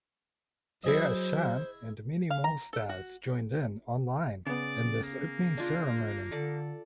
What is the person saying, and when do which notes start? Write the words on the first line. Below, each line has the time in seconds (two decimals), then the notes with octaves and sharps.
Jaya Ahsan and many more stars joined in online in this opening ceremony.
0.84 F#3 E4 G#4 C5 D#5
2.30 F5
2.44 A#5
2.73 A4
2.89 F#4
4.47 C#3 B3 D5
5.04 A#3
5.57 D4 F4
6.31 D3 A4 D5